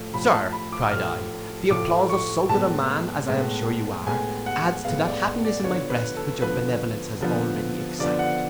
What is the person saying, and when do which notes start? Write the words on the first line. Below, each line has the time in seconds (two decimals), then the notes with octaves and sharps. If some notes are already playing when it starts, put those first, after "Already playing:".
'Sir,' cried I, 'the applause of so good a man, as I am sure you are, adds to that happiness in my breast which your benevolence has already excited.
Already playing: A2 F3 A3
0.14 A2 F3 A3 B5
0.33 A5
0.52 B5
0.72 D6
0.92 A2 F3 A3 F6
1.70 A2 F3 A3 D6
2.09 C#6
2.49 A2 G#3 B3 A5
3.28 A2 G#3 B3
4.06 A2 G#3 B3 G#5
4.46 F#5
4.85 A2 G#3 B3 F5
5.05 D5
5.45 D5
5.60 D5
5.64 D3 F3 B3 C#5
5.90 B4
6.17 A4
6.42 D3 F3 B3 B4
7.21 D3 F3 B3
7.99 D3 F3 B3 D5
8.19 F#5